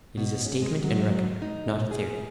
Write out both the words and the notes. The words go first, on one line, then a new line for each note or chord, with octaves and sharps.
It is a statement and record; not a theory.
B2
C#4
G#3
F#3
D#4
G#4